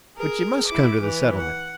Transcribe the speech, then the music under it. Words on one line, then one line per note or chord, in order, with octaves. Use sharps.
But you must come to the Settlement.
G#4 A#4
E4 D6
E3
F#5